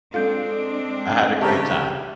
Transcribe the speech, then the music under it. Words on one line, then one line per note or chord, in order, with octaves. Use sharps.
I had a great time.
G#3 C4 D4 F4 A4 G6
C#3 A3 G4 A#4